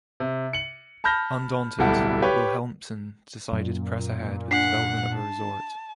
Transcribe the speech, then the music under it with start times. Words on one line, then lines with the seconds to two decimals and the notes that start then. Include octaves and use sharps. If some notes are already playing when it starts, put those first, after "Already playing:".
Undaunted, Wilhelmsen decided to press ahead with development of a resort.
0.20 C3
0.53 C#7 F#7
1.04 A5 B5 F6 G6 A#6
1.79 D1 B1 G3 E4 A4 F#5
2.22 G4 B4 C#5
3.52 F#2 A#2
4.51 D4 F#5 B6 C7
5.15 A5